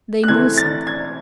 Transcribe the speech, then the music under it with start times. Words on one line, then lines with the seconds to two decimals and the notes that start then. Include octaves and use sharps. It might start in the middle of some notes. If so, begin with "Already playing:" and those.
They know something.
0.23 F#6
0.28 C#2 C3 E3 A3 C4 G#6
0.57 A6
0.87 G#6